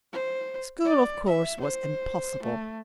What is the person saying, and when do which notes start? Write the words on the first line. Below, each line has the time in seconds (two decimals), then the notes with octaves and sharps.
School, of course, was impossible.
0.13 C5
0.85 D5
1.27 E5
1.61 C5
2.43 A3